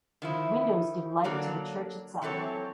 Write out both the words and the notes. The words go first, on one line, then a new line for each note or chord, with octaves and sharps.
Windows give light to the church itself.
D#3 F3 E4
D3 F#3 A#3 D4 A4 D5
E3 F#3 C4 A4 C#5